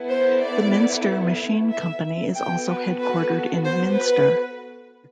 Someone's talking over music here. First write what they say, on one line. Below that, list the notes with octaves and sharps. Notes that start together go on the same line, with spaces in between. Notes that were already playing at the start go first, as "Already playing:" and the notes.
The Minster Machine Company is also headquartered in Minster.
Already playing: B3 E4 A4
C5
D5
E5
B3 F#4 A4 G5
B4
B4
C5
B4